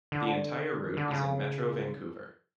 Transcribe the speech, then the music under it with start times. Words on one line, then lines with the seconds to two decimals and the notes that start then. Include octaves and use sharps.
The entire route is in Metro Vancouver.
0.12 D3
0.83 D#3
0.97 D3
1.11 C#3